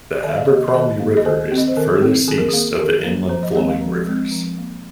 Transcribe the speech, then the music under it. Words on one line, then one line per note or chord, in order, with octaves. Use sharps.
The Abercrombie River is the furthest east of the inland flowing rivers.
D#3 D#5
F5
A#3 D#5
C5
D#3 D#5
A#3
D#5
D#3 C5
C4
D#5
C5
D#3 A#4
C4
D#3 G#4
A#4
A#3 G#4
D#3 A#4
A#3
F3 C5
D#5
G#3 C4 D#5
F5
F3
G#3 C4
F3
A#3